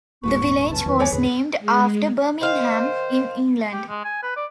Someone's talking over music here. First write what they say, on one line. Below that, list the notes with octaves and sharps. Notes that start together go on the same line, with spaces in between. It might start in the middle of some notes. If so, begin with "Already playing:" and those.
The village was named after Birmingham, in England.
D#1 G#2 G#3 F#4 B4 C#6
B3
C#2 F#2 C#4 B4 A5
E2 D#3 F#3 B4
C#5 D5 G#5
E2 A2 D3 G#4
G#3
D#3 C5 F5
G4
G#3
G#5
B4
D5